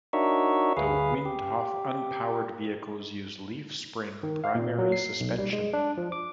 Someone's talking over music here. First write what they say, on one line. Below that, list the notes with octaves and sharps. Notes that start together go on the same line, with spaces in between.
The Windhoff unpowered vehicles use leaf spring primary suspension.
D4 D#4 F#4 A#4 C#5 E5
D2 G#4 B4 F5
G4
D#3
F5
A#2
F#3
C7
B1
G3
G#3
D4
F3
D6